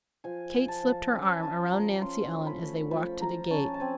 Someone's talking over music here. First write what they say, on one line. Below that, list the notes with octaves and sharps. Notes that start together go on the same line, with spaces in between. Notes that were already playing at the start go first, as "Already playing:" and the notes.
Kate slipped her arm around Nancy Ellen as they walked to the gate.
F3 G#5
F3
A5
F3
C#4 G#5
A5
G#5
C#4 A5
F3 A#5
C#4 C6
A3
B5
A3
F3 B5
F3 A#5
C#4 A5
A5
C4 G#5